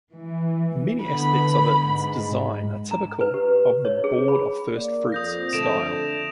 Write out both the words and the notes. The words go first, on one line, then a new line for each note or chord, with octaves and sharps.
Many aspects of its design are typical of the Board of First Fruits style.
E3
D3 B3 B5
G#2
A#5
B4
G4
C#5
G#4
B5
A#3 D5
F2 D#6 G6 A#6
D3 A3 D7 E7 F7